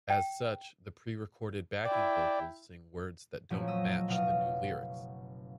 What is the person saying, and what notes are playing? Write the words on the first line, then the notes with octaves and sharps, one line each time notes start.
As such, the prerecorded backing vocals sing words that don't match the new lyrics.
G5
E4 D5 G5
A#2 F3 F#3 A3 A#3 C#4
D#5 E6
F#1 B2 F5 D#6